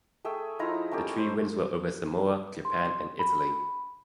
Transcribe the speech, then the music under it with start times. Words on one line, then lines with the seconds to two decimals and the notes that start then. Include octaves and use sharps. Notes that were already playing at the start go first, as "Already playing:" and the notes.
The three wins were over Samoa, Japan and Italy.
0.24 A3 G#4 E5 G5
0.59 F3 D#4 E4 A#5
0.92 A3 C#4 G4 A#4
1.17 C5
2.65 C6
3.19 B5